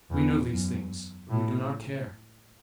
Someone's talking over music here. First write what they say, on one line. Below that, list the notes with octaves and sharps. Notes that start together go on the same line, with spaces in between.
We know these things, but we do not care.
E2
F#2
A2